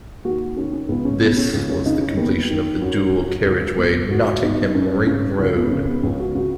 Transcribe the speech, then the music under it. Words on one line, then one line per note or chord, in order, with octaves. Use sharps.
This was the completion of the dual-carriageway Nottingham ring-road.
D#2 F#4
D#3 C#4
C#4
C#2 B3
C#4
B2 B3
C#4
C#2 C#4
C#4
C#3 D#4
C#4
D#2 B3
D#3
F#2 F#4
C#3
C#2
B2
C#2 F#4
B2 D#4
F#2 C#4
C#3 C#4
C#2 C#4
B3
C#3 C#4
B3
C#2 C#4
F#4
C#3 F#4